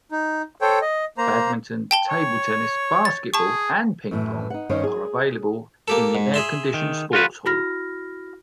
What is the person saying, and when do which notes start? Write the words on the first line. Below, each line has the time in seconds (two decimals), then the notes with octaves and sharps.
Badminton, table tennis, basketball and ping pong are available in the air-conditioned sports hall.
0.11 D#4
0.61 A4 C5 C#5 G5
0.82 D#5
1.18 A#3 C5 A#5
1.91 G5 A5 G7
2.09 C#5
3.05 A6
3.34 G#4 A5 C#6
4.11 F#2 A2 E3
4.50 D#4 F#5
4.69 G2 D#3 C#4 D#4 C5 C#5
4.84 G#4
5.88 A#3 G4 A4
6.15 G#2
6.34 G#4 E5 C6
6.74 D#3
7.13 F4 F#4 B4
7.46 E4 F#4 B5 F6 A#6